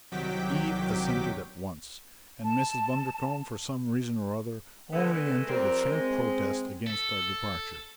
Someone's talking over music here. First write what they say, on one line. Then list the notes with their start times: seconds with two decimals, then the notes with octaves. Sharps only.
Eve assented at once; and Mrs. Bundercombe, for some reason or other, only entered a faint protest against our departure.
0.11 C2 D#3 F#3 G5 D6 B6
2.42 A5
4.93 D3 G#3 A3 B3
5.49 F2 G3 C4 A#4
5.90 G#3 C4
6.87 A4